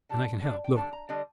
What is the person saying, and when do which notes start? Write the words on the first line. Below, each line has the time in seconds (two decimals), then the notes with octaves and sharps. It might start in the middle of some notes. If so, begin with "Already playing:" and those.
And I can help--look!
0.09 D3 G3 D4 A5
0.43 D3 G3 D4
0.64 G5
0.75 D3 G3 D4 A5
0.93 A#5
1.09 D3 G3 D4 D#5